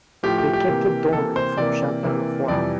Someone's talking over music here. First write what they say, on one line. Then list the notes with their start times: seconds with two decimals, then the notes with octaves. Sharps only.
They kept it dormant from shutdown of Wow!
0.23 A2 F3 A3 G4
0.38 G4
0.53 G4
0.68 C3 E3 A#3
1.13 C3 E3 A#3 A4
1.36 C5
1.58 C3 E3 A#3 D5
2.03 C3 E3 A#3
2.48 F2 C3 E3 G3 D5